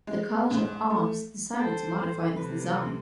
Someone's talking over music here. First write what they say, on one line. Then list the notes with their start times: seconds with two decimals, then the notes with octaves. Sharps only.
The College of Arms decided to modify this design.
0.07 G#3
0.51 G#2
0.90 A3
1.59 A4 C5 G5 A5
2.36 C3 C4 B4